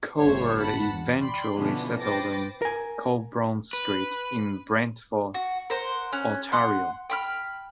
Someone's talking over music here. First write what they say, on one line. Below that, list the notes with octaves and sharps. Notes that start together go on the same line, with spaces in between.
Cowherd eventually settled on Colborne Street in Brantford, Ontario.
G1 D2 A3 C5 C#5
F#5 A5 B5
E2
D5 G5 B5 C6
B2 D3 F3 B3 C#4 E4
B4 C5 G5 D6 A6 A#6
A#4 G#5
B4
F#4
A#4 C5 F#5
C#4 F#6
F#5 C6 F#6
G5 B5 F6